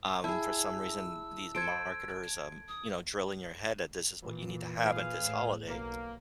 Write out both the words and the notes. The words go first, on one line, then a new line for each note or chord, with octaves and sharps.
Um, for some reason, these marketers, um, you know, drill in your head that this is what you need to have at this holiday,
E4 G#4 A5 E6
A4 C5 G#6 D7
D#6
A#2 E3
G#4 B4 F5
A2
B1 A#3